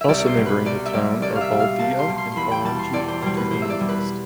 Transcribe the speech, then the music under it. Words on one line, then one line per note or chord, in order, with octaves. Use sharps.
Also neighbouring the town are Baldia and Orangi to the northwest.
E5
C2 D5
D5
C5
B2 G3
B4
C2 D5
E5
B2 G3 D5
C2 D5
F5
E5
B2 G3
F5
C2 A5
C6
B2 G3
C6
E2 B5 C6
G5
B2 G3 A5
C6
E2 D5
C5
B2 G3 C5
B4
E2 C5
E5
D5
B2 G3
B4